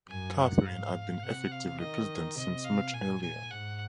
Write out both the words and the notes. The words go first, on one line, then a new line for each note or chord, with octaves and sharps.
Catherine had been effectively President since much earlier.
F#2 G#5
F#5
G#2 F5
C3 F#5
F5
D#3 D#5
C3 D#5
F5
A#2 G#5
G#5
G#2 F#5